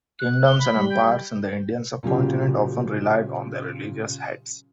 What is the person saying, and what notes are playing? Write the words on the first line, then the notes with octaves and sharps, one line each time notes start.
Kingdoms and empires in the Indian sub-continent often relied on their religious heads.
F#6
G7
B5
G3
G5
A#2 C#3 F#3 G4